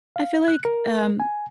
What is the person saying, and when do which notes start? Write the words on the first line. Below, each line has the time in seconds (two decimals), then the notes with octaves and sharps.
I feel like, um,
0.16 F5
0.48 F#6
0.65 A#4
1.20 G#5